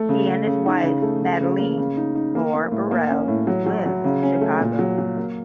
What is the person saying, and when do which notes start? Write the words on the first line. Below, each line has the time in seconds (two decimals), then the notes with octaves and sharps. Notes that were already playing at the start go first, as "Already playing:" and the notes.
He and his wife Madeleine Moore Burrell live in Chicago.
Already playing: A3
0.09 C#3
0.28 C#3
0.47 C#3
0.66 D#4
0.84 C#3
1.02 A3
1.21 C#3
1.41 C#3
1.59 A#3
1.78 C#3
1.97 D#4
2.15 D#4
2.35 A#3
2.54 A#3
2.72 A2
2.91 A#3
3.09 C#4
3.28 A2
3.47 F#3
3.66 F#3
3.86 F#3
4.04 C#3
4.23 C#4
4.41 A3
4.60 A#2
4.79 F#3
4.98 F#3
5.17 A#3